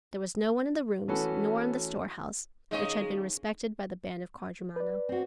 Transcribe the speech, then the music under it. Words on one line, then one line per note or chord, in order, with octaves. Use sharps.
There was no one in the rooms nor in the storehouse, which had been respected by the band of quadrumana.
E3 A3 C#4 F#4 A4 B4
D#3 G#3 A#3 C#4 D#5
B4 D5
C4 F#4